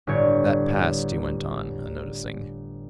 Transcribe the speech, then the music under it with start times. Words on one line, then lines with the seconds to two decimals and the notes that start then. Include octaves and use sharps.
"That passed," he went on, unnoticing.
0.07 G1 A2 G3 C#5